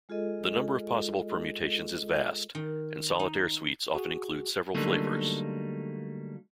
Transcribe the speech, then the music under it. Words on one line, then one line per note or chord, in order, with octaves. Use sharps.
The number of possible permutations is vast, and solitaire suites often include several flavours.
G#3 F4 G#4 A4 D#5
D#3
D#4
F#4 G#4
D3 F#3 G3 A3 A#3 D#4